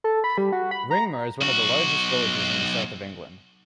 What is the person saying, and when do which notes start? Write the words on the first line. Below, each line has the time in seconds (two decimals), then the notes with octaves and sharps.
Ringmer is one of the largest villages in the south of England.
0.04 A4
0.24 B5
0.38 G3
0.52 F#4
0.71 B5
0.91 A#5
1.41 B1 F#4